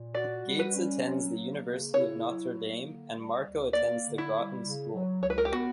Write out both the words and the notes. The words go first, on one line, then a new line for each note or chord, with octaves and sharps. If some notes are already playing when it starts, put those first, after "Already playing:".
Gates attends the University of Notre Dame, and Marco attends the Groton School.
Already playing: A#2
F#4 D5
G3
B4
C#4
F#3
A#3
C#3
E4 C#5
F#3
A#3
D3
G3
D2
A#3 D5
D3
E4
G3
C#3
F#3
C#2 C#5
B4
A#4
G4
B3 F#4